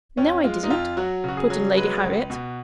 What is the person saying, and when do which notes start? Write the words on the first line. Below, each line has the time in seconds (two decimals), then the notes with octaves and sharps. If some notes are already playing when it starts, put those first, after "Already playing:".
"No, I didn't," put in Lady Harriet.
0.17 F2 C#4
0.44 G#3 F4
0.63 D#4
0.70 F2 F4
0.97 F#3 F#4
1.24 C#3 F#4
1.37 G#4
1.50 F#3
1.77 G#3 B4
2.03 C#2
2.30 B2